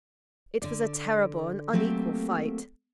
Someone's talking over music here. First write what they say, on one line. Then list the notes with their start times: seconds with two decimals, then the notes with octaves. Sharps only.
It was a terrible and unequal fight.
0.62 D3 D5
1.73 F#3 A3 A#3 C4 G4